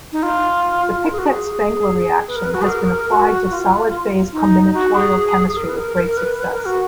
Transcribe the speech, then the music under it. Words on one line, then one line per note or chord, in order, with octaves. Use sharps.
The Pictet-Spengler reaction has been applied to solid-phase combinatorial chemistry with great success.
D#4
F4
A#4
G#4
F#4
G#4
B4
A#4
B4
F#4
G#4
A#4
F#4
F4
D#4
F#4
G#4
G#4
A#4
B4
A#4
A#4
B4
B4
A#4
F#4